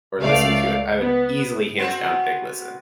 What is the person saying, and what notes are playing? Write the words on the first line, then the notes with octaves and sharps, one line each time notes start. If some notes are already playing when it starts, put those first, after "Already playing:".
or listen to it, I would easily hands down pick listen.
C#2 A3 D5 F5
B3
B3 C4 F#4